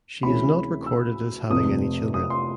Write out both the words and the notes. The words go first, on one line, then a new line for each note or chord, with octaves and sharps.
She is not recorded as having any children.
D2 C3 E3 G#3 C#4 B5
E6
F1 F2 C3 F3 D#6
D#6
C6